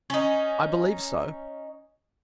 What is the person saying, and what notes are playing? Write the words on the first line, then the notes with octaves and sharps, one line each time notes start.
"I believe so."
C#4 D#4